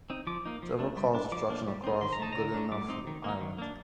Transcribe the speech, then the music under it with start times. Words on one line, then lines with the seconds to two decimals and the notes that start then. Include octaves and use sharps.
Trevor caused destruction across Goodenough Island.
0.10 C4 D#4
0.27 F3 D6
0.45 A#3 D#4
0.63 F3
0.79 A3 D4
0.97 G3
1.15 D4
1.32 F3 D6
1.50 A#3 D4
1.67 G3
1.84 C4 D#4
2.01 D#3 C6
2.13 A#5
2.19 A3 D#4 A5
2.33 D3 A#5
2.54 A3 D4
2.72 G3 D6
2.89 C4 D#4
3.07 D#3
3.24 A#3 D#4
3.41 D#3
3.58 A#3 D4